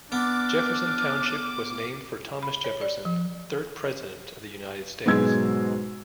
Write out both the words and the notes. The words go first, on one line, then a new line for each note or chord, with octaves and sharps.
Jefferson Township was named for Thomas Jefferson, third President of the United States.
B3 D4 D6 F6
B5
C#5
D5
F3
G#2 B2 F#3 G#3 E6 G#6